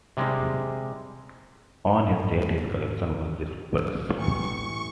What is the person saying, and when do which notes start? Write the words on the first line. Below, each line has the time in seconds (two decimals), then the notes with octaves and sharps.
On his death his collection was dispersed.
0.17 C3 G3 G#3
2.15 G#2
4.17 A1 C#6